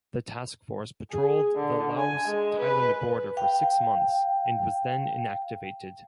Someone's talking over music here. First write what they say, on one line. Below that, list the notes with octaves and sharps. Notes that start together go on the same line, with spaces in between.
The task force patrolled the Laos–Thailand border for six months and was then inactivated.
G#4
D3
G#5
G#3
B4
F5 G5